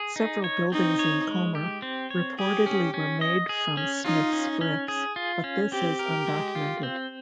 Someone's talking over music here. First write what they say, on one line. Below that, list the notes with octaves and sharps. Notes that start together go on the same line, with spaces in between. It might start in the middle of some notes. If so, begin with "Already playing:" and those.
Several buildings in Comer reportedly were made from Smith's bricks, but this is undocumented.
Already playing: G#4
D#4
C#5
C4 D#4
C#5
G#3
G4
C4
C#5
G4 G#4
C#4
C#4
D#5
G#4
C#4
D#4 F4
C#4
C#4
G#4
F4
C#4
C4 G4
A#4
G#3
F4
C4